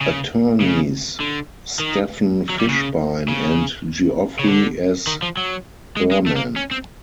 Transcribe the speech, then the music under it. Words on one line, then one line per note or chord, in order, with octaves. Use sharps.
Attorneys Stephen Fishbein and Geoffrey S. Berman.
C#3
C#3
D3
D#3
F#3
G3
C#3
C#3
C#3
D3
D#3
F3
F#3
G#3
G#3
A3
A#3
C#4
C4